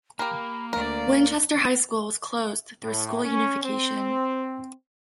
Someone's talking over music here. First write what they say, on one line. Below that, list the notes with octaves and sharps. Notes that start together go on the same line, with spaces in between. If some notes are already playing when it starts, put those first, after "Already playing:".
Winchester High School was closed through school unification.
A#3 G4 A#4 B5
D2 A#4 D5 F5
A2
C#4
C4